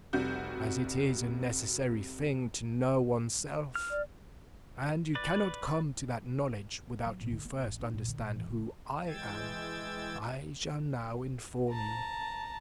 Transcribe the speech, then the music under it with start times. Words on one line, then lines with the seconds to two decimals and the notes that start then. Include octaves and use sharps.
As it is a necessary thing to know one's self, and you cannot come to that knowledge without you first understand who I am, I shall now inform you.
0.13 F1 C3 G3 F#4 G6
3.75 F6
3.90 D5
5.15 B4 D5
7.05 F#3
7.21 A2
7.32 D3
7.45 A#3
7.63 A1
7.80 D#4
7.94 A#2
8.08 D3
8.20 A#2
8.36 E3
8.50 C#3
9.07 E3 G#3 G5 E6 G#6 A6
11.71 A5 A#5